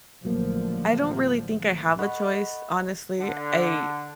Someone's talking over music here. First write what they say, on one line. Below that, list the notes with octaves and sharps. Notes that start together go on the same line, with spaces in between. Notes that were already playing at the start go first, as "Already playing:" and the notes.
I don't really think I have a choice, honestly. I
A1 D3 F3 F#3 A3 A#3
A4 D#5 F#5 B5 C#6 F#6
D3